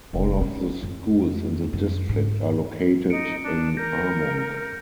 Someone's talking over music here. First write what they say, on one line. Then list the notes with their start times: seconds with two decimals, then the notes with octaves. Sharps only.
All of the schools in the district are located in Armonk.
0.13 F1
0.41 C#4
0.83 F2
1.73 F#2
2.09 G#2
3.10 D#4 C#7 D7
3.43 D4
3.77 A#4 G6 A#6 D7